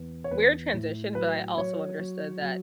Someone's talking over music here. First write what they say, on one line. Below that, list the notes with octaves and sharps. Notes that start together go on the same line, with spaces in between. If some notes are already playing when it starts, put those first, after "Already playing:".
weird transition, but I also understood that
Already playing: E2
C#5
E2 B4
A2
F#3 B4
F#3 C#5
F#3
F#3